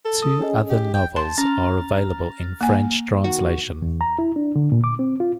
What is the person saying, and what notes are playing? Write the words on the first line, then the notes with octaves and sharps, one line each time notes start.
Two other novels are available in French translation.
A4
D#6
C#4 G#4 D#5
G4
G5
A5 C6
C#4 A#5 F6 A6
A#3 G#5
D#3 F#4
E2
A#5
E4
D4
D3
A#2
D6
C4
F4